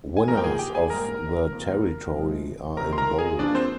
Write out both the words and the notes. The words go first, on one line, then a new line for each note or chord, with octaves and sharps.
Winners of the territory are in bold.
G#5
G#2 F3 A#3 A#4 A#5
G5
G#4 G#5
G4 G5
G#4 G#5
G#2 G3 A#3 A#4 A#5
F2 D#3 A#3
C3 F3 G#3
F2 C3 D#3 A#4 A#5
C6
A#4 A#5
G#4 G#5
G2 F3 A#3 D4 D5
C4 C5